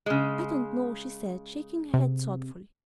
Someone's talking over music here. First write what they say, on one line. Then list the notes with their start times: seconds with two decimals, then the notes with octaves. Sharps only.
"I don't know," she said, shaking her head thoughtfully.
0.06 C#3 G#3
1.94 C3